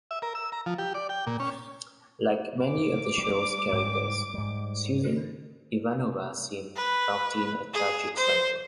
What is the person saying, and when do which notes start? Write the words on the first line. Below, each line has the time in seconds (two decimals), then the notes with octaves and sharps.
Like many of the show's characters, Susan Ivanova seemed locked in a tragic cycle.
0.11 E5
0.22 A#4
0.35 E6
0.52 A#5
0.66 F3
0.78 G4
0.94 D5
1.09 G5
1.27 A#2
1.40 C#4
2.66 D6
3.18 G3
3.73 G#2 G3
4.34 G#2 G3
6.76 B4
7.73 G#4
8.16 C5